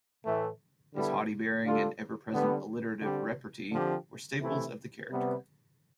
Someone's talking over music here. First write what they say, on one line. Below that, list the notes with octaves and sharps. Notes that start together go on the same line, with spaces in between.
His haughty bearing, and ever-present alliterative repartee, were staples of the character.
A2 E3 A3
D3 G3 B3 E4 A4
D3 G3 D4 F4 A4
D3 G3 B3
D3 G3 C4
D3 F3 C4 G4
C3 E3 A3 E4
C3 G3 B3